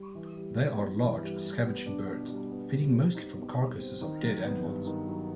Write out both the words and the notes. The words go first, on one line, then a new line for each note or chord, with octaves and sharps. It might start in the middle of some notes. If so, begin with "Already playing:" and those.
They are large scavenging birds, feeding mostly from carcasses of dead animals.
Already playing: G3
E3
G3
B3
G2
E3
G3
G3
B3
D4
B2
G3
B3
G3
C4
D#4
B2
G3
C4
D#3
F#3
B3
G2
D#3
F#3